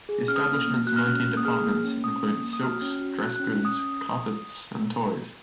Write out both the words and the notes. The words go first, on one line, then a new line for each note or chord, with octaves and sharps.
The establishment's nineteen departments included silks, dress goods, carpets, and toys.
G#4
C#4 F6
D#6
F6
A#3
A#3
F#4 F#6
F6
C#4 F#6
A#3
D#6
G#4 F6
A#3
C#4
C#4 D#6
A#3
A#3
D#6
F#4 F6
C#4
F#4
F#4 F#6
C#4 F#6
C#4 D#6